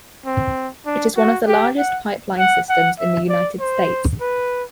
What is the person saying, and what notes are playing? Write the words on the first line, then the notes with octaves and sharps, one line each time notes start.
It is one of the largest pipeline systems in the United States.
C4
D4
F#4
G4
F#5
F#5
F#5
E5
D5
C5
B4